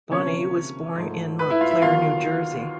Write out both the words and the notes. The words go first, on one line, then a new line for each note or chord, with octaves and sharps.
Bonney was born in Montclair, New Jersey.
D2 C3 F3 A#3 C#4 C#5
G#2 F3 A3
B4
E4 E5
F4 F5
E4 E5
D#2 D#3 F#3 B3 F4 F5